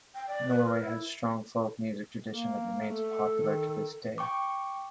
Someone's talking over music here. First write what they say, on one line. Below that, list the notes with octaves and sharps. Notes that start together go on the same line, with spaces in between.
Norway has a strong folk music tradition that remains popular to this day.
G5
D5
B4
A#4
E4
A#3
A3 A4
D#3
G5 C#6 D6